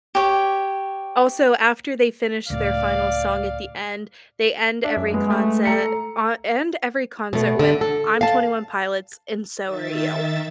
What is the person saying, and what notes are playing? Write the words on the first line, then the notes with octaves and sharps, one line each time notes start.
also, after they finish their final song at the end, they end every concer o end every concert with "I'm Twenty One Pilots, and so are you."
G4 C#5
C#2 A2 D5 F5
D4 E5
F#2
G#3 B3
A3
A4 A#5 C#7
B2 A3
D3
A4
F5 A5
D#3 E5 A6